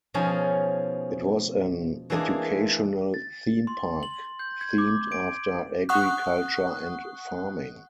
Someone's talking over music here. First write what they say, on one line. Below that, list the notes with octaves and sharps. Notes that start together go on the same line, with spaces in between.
It was an educational themepark themed after agriculture and farming.
B2 F3 C#4 D#4 G#4
E3 G#3 A#3 D4 G#4
A6
C6
F#7
G6
G#6
D6
D7
F#5 C#6 D#6 F#6